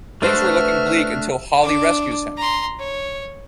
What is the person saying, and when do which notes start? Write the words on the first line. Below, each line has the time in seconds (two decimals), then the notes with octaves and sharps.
Things were looking bleak until Holly rescues him.
0.22 A3 D4 F#4 B4 C5 E5 F6
1.63 D4
2.37 A#5 C6
2.79 C#5